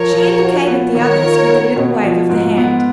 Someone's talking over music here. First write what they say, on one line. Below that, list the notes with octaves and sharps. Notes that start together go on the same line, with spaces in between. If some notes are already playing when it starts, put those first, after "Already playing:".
She indicated the others with a little wave of the hand.
Already playing: F3 A#4 C#5
F3
F#4
B3
D#3 A#4 C#5
F4
B3
B2
F3
G#2
B3